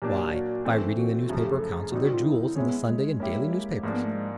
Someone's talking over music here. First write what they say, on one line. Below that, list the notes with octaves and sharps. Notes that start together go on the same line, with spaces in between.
Why, by reading the newspaper accounts of their jewels in the Sunday and daily newspapers.
A#2 F#3 A#3 D4 G4
F#4
E3 A3 C4
F#4
F#2 C#3 F3 A3
F#4
G4
G#4
A4
G#4
G#4
D3 G3 C4 D#4 F#4
F#4
F4
E4
G#3 C4 C#4 E4 G#4 C#5
B3
G#3
A#3 C#4 E4 G4
G3
G#3
G#2 F3 A3 A#3 D4
B3
A3
G#3